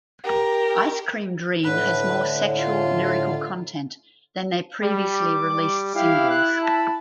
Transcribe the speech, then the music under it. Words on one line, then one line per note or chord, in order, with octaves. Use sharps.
Ice Cream Dream has more sexual lyrical content than their previously released singles.
G4 A#4
A2 D3 B4
F4
G3
D6
G3
E4 G4 F5
F#6
A5 B5